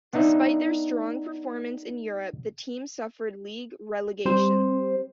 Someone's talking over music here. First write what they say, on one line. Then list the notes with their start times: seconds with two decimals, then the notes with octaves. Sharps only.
Despite their strong performance in Europe, the team suffered league relegation.
0.13 B3 D4 D#4 E5
4.25 G3 C4 C5